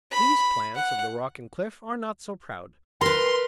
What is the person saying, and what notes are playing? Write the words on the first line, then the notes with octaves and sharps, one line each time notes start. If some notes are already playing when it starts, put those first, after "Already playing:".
These plants of the rock and cliff are not so proud.
B5
F#5
A#4 B4 C6